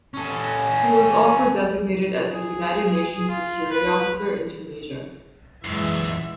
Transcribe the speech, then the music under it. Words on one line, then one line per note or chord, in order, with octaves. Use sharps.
He was also designated as the United Nations Security Officer in Tunisia.
C#4 A4
G#4
F4
B4
F#2 A#2 E3 G#3 E5